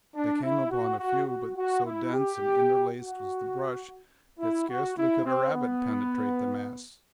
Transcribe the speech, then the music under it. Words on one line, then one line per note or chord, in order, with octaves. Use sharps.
They came upon a few, but so dense and interlaced was the brush that scarcely could a rabbit penetrate the mass.
D4
E4
F#4
F#4
F#4
F#4
E4
G4
F#4
E4
F#4
E4
C4
B3